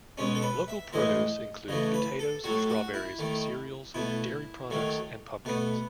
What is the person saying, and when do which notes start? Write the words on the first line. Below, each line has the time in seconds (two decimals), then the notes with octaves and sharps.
Local produce includes potatoes, strawberries, cereals, dairy products and pumpkins.
0.18 B2 G#3 C#4
0.35 A4
0.42 B4
0.68 E5
0.93 A2 E3 G#3 D#5
1.68 C#3 E3 A3 D#5
1.94 B4
2.19 A4
2.44 A2 F#3 A3 F#4
2.70 F#4
2.94 E4
3.19 D#3 A3
3.94 B2 A3 E4
4.70 D#3 F#3 A3
5.45 B2 A3 B3